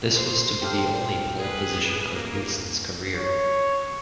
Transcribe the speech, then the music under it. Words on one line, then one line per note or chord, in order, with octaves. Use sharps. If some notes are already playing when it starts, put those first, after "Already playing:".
This was to be the only pole position of Boutsen's career.
C5
G4 A4 F5
G#4 B4
A#3
C#5